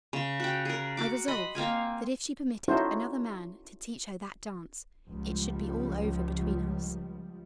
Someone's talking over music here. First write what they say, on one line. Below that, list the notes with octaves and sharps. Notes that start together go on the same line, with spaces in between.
I resolved that if she permitted another man to teach her that dance it should be all over between us.
C#3
F#4 G5
G#4 A#4
F#4 D6
D#5 B5 C6
A#3 C4 F5 G#5
C#4 D#4 E4 F#4 A4 C5
C#2 F3 G3